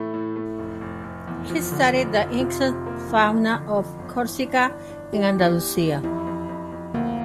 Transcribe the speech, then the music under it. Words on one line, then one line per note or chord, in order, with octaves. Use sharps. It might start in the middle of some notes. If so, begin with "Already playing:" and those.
He studied the insect fauna of Corsica and Andalusia.
Already playing: A2 A3 E4
A2
A3
F1
F1
F1
E2
F3
D3
F1
F1
C3 F4
C3
A#3
E3
F2
D3
F2
G1
E3
D4
D4
D4
E3 G4
E2
E3
E2
F2 E4
F2
F2
F2
D2 A#3